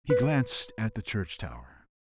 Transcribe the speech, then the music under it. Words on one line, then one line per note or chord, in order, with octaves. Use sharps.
He glanced at the church tower.
B4